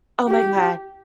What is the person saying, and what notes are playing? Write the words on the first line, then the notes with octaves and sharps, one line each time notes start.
Oh my god,
G4